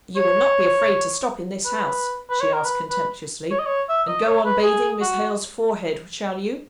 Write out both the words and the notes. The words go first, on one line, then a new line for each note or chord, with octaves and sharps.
You will not be afraid to stop in this house,' she asked contemptuously, 'and go on bathing Miss Hale's forehead, shall you?
C#5
B4
B4
C#5
A#4
B4
B4
C#5
D#5
C#5
E5
D#5
C#5
B4
G#4
F#4